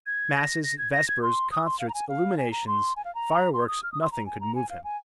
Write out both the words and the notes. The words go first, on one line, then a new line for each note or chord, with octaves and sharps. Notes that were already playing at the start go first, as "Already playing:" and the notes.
Masses, vespers, concerts, illuminations, fire-works--nothing could move him.
G#6
A#6
A#6
G#6
A#6
G#6
C6
D#6
C6
F5
A#5
G#5
F5
G#5
A#5
C6
G#5
F5
A#5
C6
D#6
F6
D#6
C6
A#5
G#5
A#5
G#5
F5
G#5